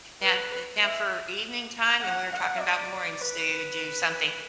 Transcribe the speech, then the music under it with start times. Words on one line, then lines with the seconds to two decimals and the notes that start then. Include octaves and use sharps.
Now, eh, now for evening time, and we were talking about mornings, do you do something
0.22 B4
0.82 E5
2.02 F#5
2.32 F#5
2.62 D5
3.21 B4